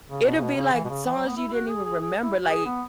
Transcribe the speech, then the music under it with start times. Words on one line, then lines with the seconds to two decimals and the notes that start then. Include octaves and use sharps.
It'll be like songs you didn't even remember, like
0.10 C#3
0.25 B2
0.37 C#3
0.42 B2
0.57 C#3
0.73 E3
0.84 B2
0.89 C#3
1.06 E3
1.17 F#3
1.27 B3
1.37 E4
1.48 E4
1.53 F#4
1.69 G#4
1.85 G#4
2.02 G#4
2.23 E4
2.44 F#4
2.49 G#4
2.66 B3